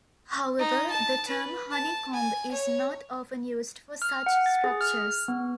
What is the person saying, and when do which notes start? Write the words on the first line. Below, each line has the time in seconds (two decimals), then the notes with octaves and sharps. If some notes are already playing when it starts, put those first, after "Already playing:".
However, the term "honeycomb" is not often used for such structures.
0.59 D#4
0.90 A5
1.28 B4
1.71 A5
2.13 G#5
2.52 C#5
4.02 F6
4.26 F#5
4.46 A6
4.64 G#4
4.81 F6
5.28 B3